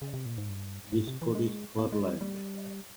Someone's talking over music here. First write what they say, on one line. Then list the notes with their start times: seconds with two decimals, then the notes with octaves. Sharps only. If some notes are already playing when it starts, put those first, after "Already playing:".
This coat is fur-lined.
0.02 C#3
0.13 C3
0.26 A#2
0.38 G#2
0.49 G2
0.92 G#2
1.07 C3
1.22 E3
1.35 G#3
1.78 A#3
1.92 G#3
2.07 G3
2.21 G3